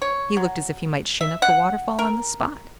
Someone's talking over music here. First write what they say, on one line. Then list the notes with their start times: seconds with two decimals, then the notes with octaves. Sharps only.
He looked as if he might shin up the waterfall on the spot.
0.02 C#5
0.37 F#3
1.21 E5
1.42 F#5
1.99 A#4